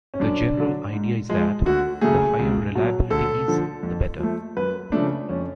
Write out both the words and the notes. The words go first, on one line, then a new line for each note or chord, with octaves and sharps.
The general idea is that, the higher reliability is, the better.
C#4
F#2 D4
D3 F#3
G#2
F3 G#3
D2 F#4
C#3 F#3 A3 G#4
C#2
B2 F#3
D2 A4
D3 F3
F2
F3 A3
F#2 B4
C#3 F3 A3 D4
F2 C#4